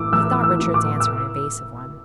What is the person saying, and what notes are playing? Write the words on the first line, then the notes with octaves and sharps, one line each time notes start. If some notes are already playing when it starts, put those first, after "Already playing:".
He thought Richard's answer an evasive one.
Already playing: A1 A2 E3 D6 E6
A1 E6
E6
A2 E3
D6
E6